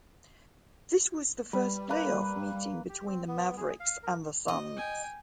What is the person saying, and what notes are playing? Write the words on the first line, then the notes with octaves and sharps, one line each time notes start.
This was the first playoff meeting between the Mavericks and the Suns.
G3 B4
A#3 B4
G4
C4
B3
G#4
F5
A#4
D#5
G5 G#5